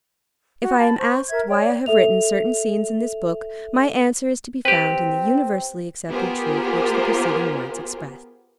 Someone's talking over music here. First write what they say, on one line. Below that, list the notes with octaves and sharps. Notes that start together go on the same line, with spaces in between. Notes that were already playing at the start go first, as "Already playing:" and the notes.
If I am asked why I have written certain scenes in this book, my answer is to be found in the universally-accepted truth which the preceding words express.
F#4
A5 B5
C5 C#6
A#4 E5 G#6
C#5 D5 G5
A4 E5 F7
C4 G4 B4
B3 F4 G4 G#4 A#4 C5